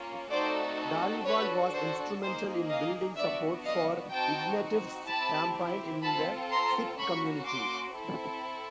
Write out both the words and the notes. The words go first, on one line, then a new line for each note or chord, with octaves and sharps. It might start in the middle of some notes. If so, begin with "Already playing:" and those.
Dhaliwal was instrumental in building support for Ignatieff's campaign in the Sikh community.
Already playing: A#3 C#4 F4
A3 C4 D#4 F#4 A4 C5 D5
D4 F#4 A4 B4 C#5
C5
A#3 D#4 G#4 C5
D#5 F5
B3 D4 F#4 D5 E5
D#5 F5
C4 D#4 F#4 G5 A5
C4 E4 G4 A5 B5
C4 F4 A4 A5 B5
A#5 C6
A#3 C#4 F#4 B5 C#6
C6 D6
C4 E4 A4